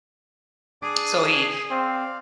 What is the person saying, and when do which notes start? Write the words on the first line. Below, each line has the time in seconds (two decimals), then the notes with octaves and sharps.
So he
0.82 D4 G#4 D5 D6
1.71 C4 D5 F5